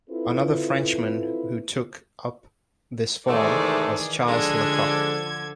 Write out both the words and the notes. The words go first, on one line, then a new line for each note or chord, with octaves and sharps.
Another Frenchman who took up this form was Charles Lecocq.
C4 E4 F4 A4 B4
G#2 C3 D#3 E3 A3 G#4 D5
D3 F3 G#3 D4 A4 G#6